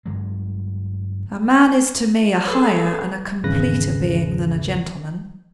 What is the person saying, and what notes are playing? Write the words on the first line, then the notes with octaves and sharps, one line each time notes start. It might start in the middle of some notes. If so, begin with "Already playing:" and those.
A man is to me a higher and a completer being than a gentleman.'
G2 D3 F#3 G#3
G#4 A4 B4 C#5
G#1 E2 C#3 B4 A#6